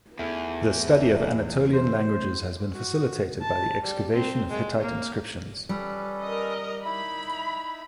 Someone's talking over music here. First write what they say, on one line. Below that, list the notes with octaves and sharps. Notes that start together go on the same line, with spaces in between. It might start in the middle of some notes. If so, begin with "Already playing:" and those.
The study of Anatolian languages has been facilitated by the excavation of Hittite inscriptions.
E2 A3
C5
F#4
A5
G3
C4
G#3
A#3
G3 C#4 A4 B4
A#4 D#5
D#4 E4 E5 B5